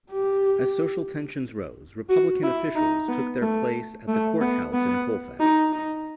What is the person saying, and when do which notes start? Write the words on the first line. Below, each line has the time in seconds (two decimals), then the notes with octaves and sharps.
As social tensions rose, Republican officials took their places at the courthouse in Colfax.
0.12 G4
2.09 F#4
2.43 E4
2.76 D#4
3.09 B3
3.42 A3
4.08 A3
4.41 B3
4.73 B3
5.40 D#4
5.73 D#4